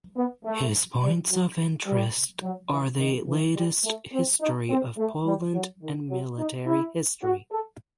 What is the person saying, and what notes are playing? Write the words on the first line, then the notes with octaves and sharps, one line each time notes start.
His points of interest are the latest history of Poland and military history.
B3
A3
G3
F#3
G3
F#3
E3
D#3
E3
G3
A3
C4
D#4
C4
A3
G3
F#3
D#3
F#3
D#4
E4
F#4
A4